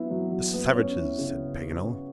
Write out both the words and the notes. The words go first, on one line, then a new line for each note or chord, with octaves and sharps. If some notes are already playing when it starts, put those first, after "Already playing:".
"The savages," said Paganel.
Already playing: F#3 B3 E4
F#3
F#3
B3
C#4
E4
C#3